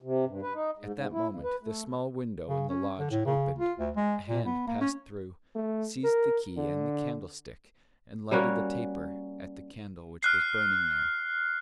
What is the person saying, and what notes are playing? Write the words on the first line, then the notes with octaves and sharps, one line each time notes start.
At that moment the small window in the lodge opened, a hand passed through, seized the key and the candlestick, and lighted the taper at the candle which was burning there.
C3
G2
B4
D#4
G#2
G#2
E4
F2
B4
A3
C#3
C#4
D3
A2
C#3
F4
D2
G#3
A#2
B3
A#3
C#4
A3
A#4
D3
G3 A#3 C#4 F#4
F6 F#6 C7